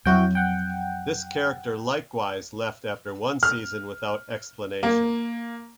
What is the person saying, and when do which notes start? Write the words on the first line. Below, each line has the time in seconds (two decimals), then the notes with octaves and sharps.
This character likewise left after one season without explanation.
0.05 F2 F#3 E4 F#4 G5
0.35 F#5 G5
3.43 F6
4.83 A#3